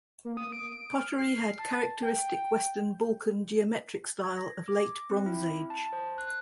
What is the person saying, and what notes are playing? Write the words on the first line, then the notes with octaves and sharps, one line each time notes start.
Pottery had characteristic Western Balkan geometric style of late Bronze Age.
A#3
D#6
D7
F6
C7
A5
G5
G#6
A#6
D6
C4
E4
A5
C5
F#6